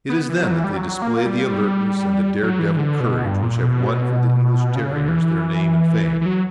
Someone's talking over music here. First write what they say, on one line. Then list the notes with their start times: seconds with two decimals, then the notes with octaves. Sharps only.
It is then that they display the alertness and the dare-devil courage which have won for the English terriers their name and fame.
0.09 B3
0.29 E3
0.40 F#3
0.51 E3
0.64 G3
0.77 F#3
1.02 A#3
1.26 G3
2.43 F#3
2.59 E3
2.77 D3
3.01 B2
3.25 G2
3.42 A#2
3.59 B2
4.76 C#3
4.93 D3
5.08 E3
6.21 E3
6.26 F#3